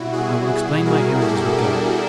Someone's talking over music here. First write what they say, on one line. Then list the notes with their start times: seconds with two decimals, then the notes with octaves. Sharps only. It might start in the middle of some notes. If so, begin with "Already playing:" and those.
I will explain my errand as we go.
Already playing: B2 G3 E4 F#4
0.13 F#4 G#4
0.86 G#4 A#4
1.21 G4 A4
1.57 D4 E4